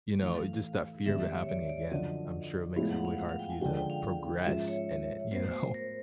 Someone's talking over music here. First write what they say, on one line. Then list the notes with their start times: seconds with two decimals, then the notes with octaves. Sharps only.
you know, it just that fear of it happening again, I'm sure it makes it really hard for you to progress in it, you know?
0.22 A2 E3 A3 F5
1.06 G#2 D#3 G3 B3 E5
1.43 C#5
1.49 D5
1.69 D5
1.91 F#2 D3 F3 D#5
2.76 A2 F3 G#3 B3 E4 F5
2.90 F#5
3.05 F5
3.19 F5
3.29 F5
3.39 G5
3.50 G#5
3.61 D3 F3 G#3 G5
3.76 G5
3.90 F5
4.46 G#2 F3 G#3 C#4 F4 E5
4.68 C#5
5.31 A2 F#3 B3 C5
5.52 C5
5.74 A#4